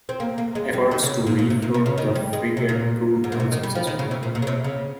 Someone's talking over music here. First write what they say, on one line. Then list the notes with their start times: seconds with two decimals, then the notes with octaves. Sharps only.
Efforts to refloat the frigate proved unsuccessful.
0.09 C4
0.20 A#3
0.38 A#3
0.55 G#3
0.73 G3
0.91 D#3
1.03 C#3
1.27 A#2
1.39 A#2
1.50 C3
1.62 A#2
1.74 C3
1.86 C#3
1.98 D#3
2.15 G3
2.33 G#3
2.57 C3
2.69 A#2
3.24 G#2
3.32 A#2
3.40 C3
3.52 D#3
3.63 G3
3.75 F3
3.87 D#3
3.99 C#3
4.11 C3
4.23 A#2
4.35 A#2
4.42 C#3
4.47 C3
4.64 C#3